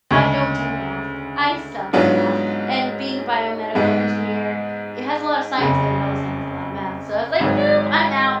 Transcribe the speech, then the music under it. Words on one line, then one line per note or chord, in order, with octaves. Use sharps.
I don't do math, I suck at math, and being a biomedical engineer, it has a lotta science, but it also has a lotta math, so I was like, "Nope, I'm out."
D2 C#3 G#3
G#2 F#3 B3 D4 F4
G#2 G#3 B3
F#1 F2 C#3
G#1 G#2 F#3